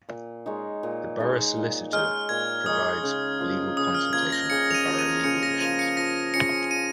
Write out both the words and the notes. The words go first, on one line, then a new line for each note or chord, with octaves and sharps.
The borough solicitor provides legal consultation for borough legal issues.
A#2
G#3 D#4 C#5
A#2
G#3 D#4 C#5
A#2
G#3 D#4 C#5 F6
A#2 G#6
G#3 D#4 C#5 D#6
C#3
F3 A#3 F4
C#3 D#6
F6
F3 A#3 F4 G#6
A#6
C#3 C#7
F7
D#7
F3 A#3 F4
D#7
C#3 C#7
A#6
F3 A#3 F4 D#7
C#7
F3 A#6
C#4 F4 G#4 C#7
F3 D#7